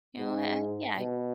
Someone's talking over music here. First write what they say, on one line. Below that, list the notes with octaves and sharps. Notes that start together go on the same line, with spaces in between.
you know, eh, yeah, I
G#2
B2